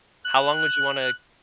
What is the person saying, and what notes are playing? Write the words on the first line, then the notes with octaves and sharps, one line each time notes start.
How long would you wanna
F#6